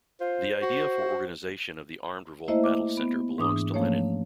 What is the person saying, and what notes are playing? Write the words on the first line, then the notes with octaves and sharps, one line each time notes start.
The idea for organization of the armed revolt battle center belongs to Lenin.
F4 C5
F#4
A3 A#3 E4 C5 D#5 E5
D6
B3
G#2 E3 D4 D6 D#6
F3 A3 A#3 C#4 C#5